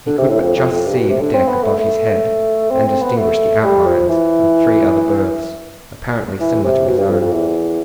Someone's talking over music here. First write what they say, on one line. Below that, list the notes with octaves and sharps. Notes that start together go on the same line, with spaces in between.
He could but just see the deck above his head, and distinguish the outlines of three other berths, apparently similar to his own.
D3
C3
A2
F2
F2
F2
G2
B2
C3
D3
C4
B3
A3
A3
C4
C4
B3
A3
G3
F3
E3
E3
C3
B2
G2
F2
F2
E2